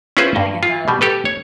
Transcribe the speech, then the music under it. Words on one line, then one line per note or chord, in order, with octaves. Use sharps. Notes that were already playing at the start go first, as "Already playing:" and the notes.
and I get that
C#4 E4 F4 G#4 B4 C5
G2
F4
B2 G3
G4 A4 B4
C#5